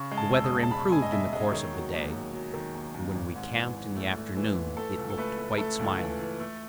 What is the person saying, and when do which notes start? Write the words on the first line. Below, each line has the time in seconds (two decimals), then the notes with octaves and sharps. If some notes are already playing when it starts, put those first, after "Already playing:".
The weather improved in the course of the day, and when we camped in the afternoon it looked quite smiling.
Already playing: C#3 C#6
0.11 G#3
0.17 A5
0.31 E1 E6
0.44 D#6
0.52 E1
0.63 A5
0.71 G#3 B5
0.92 G#3 G#5
1.02 D#5
1.12 E1 E5
1.33 G#3 D#5
1.52 D#3 C#5
1.73 F#3
1.94 D#2
2.14 F#3
2.34 F#3
2.54 D#3
2.75 D#2
2.94 D#2
3.15 G#1
3.36 G#2
3.55 E3
3.76 E3
3.96 A3
4.17 A3
4.37 E3
4.58 E3
4.77 A3 A4
4.98 C#2
5.10 A4
5.18 A3 B4
5.38 A3
5.58 A3 A4
5.79 C#2
5.99 E3
6.19 E3
6.40 A3